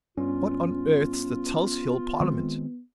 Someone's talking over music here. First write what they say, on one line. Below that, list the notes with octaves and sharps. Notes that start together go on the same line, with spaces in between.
'What on earth's the Tulse Hill Parliament?'
G2 B3 C#4 F4
D#3 G#3 C4